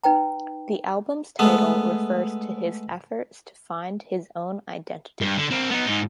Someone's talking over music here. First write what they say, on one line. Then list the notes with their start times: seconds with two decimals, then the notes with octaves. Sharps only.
The album's title refers to his efforts to find his own identity.
0.04 D#4 B4 G5 A#5
1.39 G#3 A3 B3
5.21 G2
5.38 D3
5.51 C4 A#4
5.71 B3 D#4
5.88 G#2 D#4